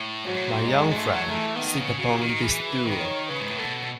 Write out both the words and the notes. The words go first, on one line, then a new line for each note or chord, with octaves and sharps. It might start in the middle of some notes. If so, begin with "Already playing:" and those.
My young friend, sit upon this stool.
Already playing: A2
G#2 F#3
A2
G#2
F#2 G#3
G#2
A3
F#3
D#3 A3
E3
D#3 B3
C#3
C#3 F#4
D#3
E3 G#4
B4
D#3
C#5
C#3 B4
G#2
A2
B2 A4